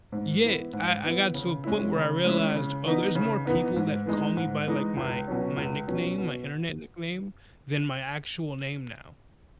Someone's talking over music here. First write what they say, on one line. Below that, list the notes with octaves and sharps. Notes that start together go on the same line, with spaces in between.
Yeah. I I got to a point where I realized, oh, there's more people that call me by, like, my my nickname, my Internet nickname than my actual name now.
G#2
E3 B3 E4
G#2
E3 B3 E4
C#3
G#3 C#4 E4
C#3
G#3 C#4 E4
C#3
E3 B3 D#4
C#3
E3 B3 D#4
G#2
E3 G#3 D#4
G#2
E3 G#3 D#4
C#2
B2 F#3 C#4
C#2
B2 F#3 C#4
B2